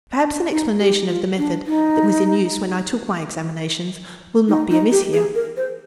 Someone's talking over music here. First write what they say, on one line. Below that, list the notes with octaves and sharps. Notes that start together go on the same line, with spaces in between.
Perhaps an explanation of the method that was in use when I took my examinations will not be amiss here.
D4
D#4
G4
F4
D4
D#4
D#4
D#4
G4
G#4
A#4
C5